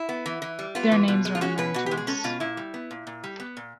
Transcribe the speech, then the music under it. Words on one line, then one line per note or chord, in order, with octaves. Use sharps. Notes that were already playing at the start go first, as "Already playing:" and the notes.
Their names are unknown to us.
Already playing: E4
B3
E3
E3
G3
B3 F4
E3
B2
G#3
F4
C#4 F#4
B2 B4
B2 F#4
G#3 G4
G#4
C#4 A4
B2 F4
A#2 E4
G3
B3
A#2
A#2
G3
B3
A#2